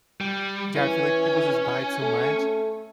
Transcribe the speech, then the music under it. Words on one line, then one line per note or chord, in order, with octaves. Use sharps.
Yeah, I feel like people just buy too much,
G3
E3 C#4
A3